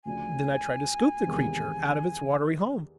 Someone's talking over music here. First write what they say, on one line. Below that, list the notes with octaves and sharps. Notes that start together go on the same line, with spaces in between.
Then I tried to scoop the creature out of its watery home.
D2 C#3 F3 A3 D4 G#5
E2 C3 D#3 G#3 B3